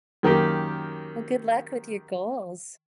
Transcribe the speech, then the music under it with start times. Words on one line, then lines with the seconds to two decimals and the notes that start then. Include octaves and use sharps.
Well, good luck with your goals.
0.23 F#2 D#3 A#3 G4